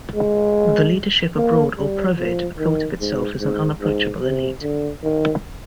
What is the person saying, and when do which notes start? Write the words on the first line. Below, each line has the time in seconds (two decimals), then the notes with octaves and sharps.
The leadership abroad, or "Provid", thought of itself as an unapproachable elite.
0.15 G#3
1.37 A#3
1.78 G3
2.18 F3
2.59 D#3
3.00 G#2
3.40 G#2
3.81 G#2
4.22 C3
4.62 D3
5.03 D#3